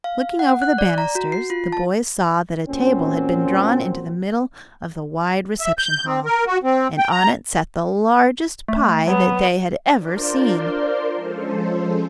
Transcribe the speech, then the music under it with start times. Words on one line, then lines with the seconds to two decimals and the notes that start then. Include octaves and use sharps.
Looking over the banisters, the boys saw that a table had been drawn into the middle of the wide reception-hall, and on it sat the largest pie that they had ever seen.
0.04 F5
0.39 F#5
0.62 F#6
0.78 D5
0.98 A#5
1.15 F#4
1.32 C7
1.50 F4
1.72 A5
2.69 A#2 F#3 C4 C#4
5.60 E5
5.78 G6
6.06 C4
6.25 A#4
6.47 F#4
6.63 C4
6.98 G5
7.11 A#5
8.68 A3
9.08 F#3 B3
9.95 D4 F4 A#4 C5 D5 C6
11.14 F3 G#3 C#4 A4 C5